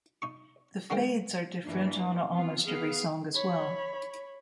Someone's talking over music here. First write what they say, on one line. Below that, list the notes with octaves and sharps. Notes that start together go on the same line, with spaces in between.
The fades are different on almost every song as well.
D#4 C#6
D3 G#3 F4 A#4 C5 G5
G2 E3 A#3 D4
B3 C4 F4
B3 G#4 F5
C#5 B5